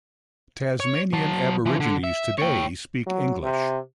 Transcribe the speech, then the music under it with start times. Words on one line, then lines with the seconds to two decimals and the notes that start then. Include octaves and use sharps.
Tasmanian Aborigines today speak English.
0.80 C#5
1.13 F#3 A5
1.66 E3 F3
1.80 D3
2.04 E5
2.38 C#5 G5
3.06 F#3
3.42 C3